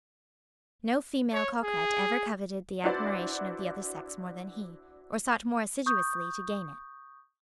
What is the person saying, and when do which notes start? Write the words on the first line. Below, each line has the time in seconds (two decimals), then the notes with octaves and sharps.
No female coquette ever coveted the admiration of the other sex more than he, or sought more assiduously to gain it.
1.33 C#5
1.62 G#4
2.84 D4 E4 F#4 B4 C5 D5
5.86 C#6 D#6 G6